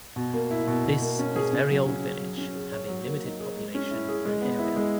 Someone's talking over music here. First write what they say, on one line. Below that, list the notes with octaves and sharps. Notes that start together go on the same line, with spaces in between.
This is very old village having limited population and area.
B2
A#3
E4
B2
B2
A#3
C#4
G#4
C#3
F#3
C#4
G#4
F#3
C#4
G#4
C#5
F#3
A#3
D#4
G#4
G#3
C#4
E4
G#4
G#3
B3
E4
G#3